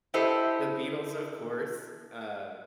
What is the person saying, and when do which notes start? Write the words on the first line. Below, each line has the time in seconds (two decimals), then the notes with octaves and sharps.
The Beatles, of course, um,
0.14 E4 G4 A4 C5 D#5